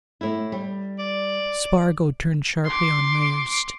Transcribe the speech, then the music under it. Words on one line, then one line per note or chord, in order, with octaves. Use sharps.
Spargo turned sharply on Myerst.
A2 E4
G3
D5
C6 D6